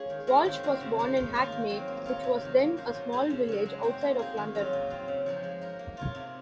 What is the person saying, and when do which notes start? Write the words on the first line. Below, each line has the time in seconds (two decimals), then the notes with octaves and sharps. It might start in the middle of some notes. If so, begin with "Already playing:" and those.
Walsh was born in Hackney, which was then a small village outside of London.
Already playing: G#3 A#3 C#4 G#4 C#5
0.10 D#3
0.27 G#3 C4 F4 A#4
0.45 D#3
0.63 G#3 C4 F#4 C5
0.80 C#3
0.99 G#3 D#4
1.17 D#3
1.34 A#3 F4 A#4
1.52 D#3
1.70 F#3 C4
1.88 A#3
2.06 F4 A#4 C#5
2.23 C3
2.41 D#3 F#3
2.59 A#3
2.77 C#4 F#4 C5
2.94 A#2
3.12 G#3 D#4 G#4
3.30 C#3
3.48 F#3 C#4
3.66 G#3
3.83 C4 F#4 C5
4.01 A#3
4.19 D#4 G#4
4.37 D#3
4.55 F#3 C#4 F4
4.73 A#2
4.90 F#3 C4 F4
5.08 C#3
5.26 F3 G#3 D#4 F#4
5.43 G#3
5.62 D#4 A#4
5.79 A#3
5.97 F4 A#4 C#5
6.15 C3